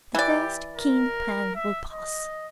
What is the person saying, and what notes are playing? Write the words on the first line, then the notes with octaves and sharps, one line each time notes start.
The first keen pang will pass.
E3 G4 D5
A#4
E5
D#5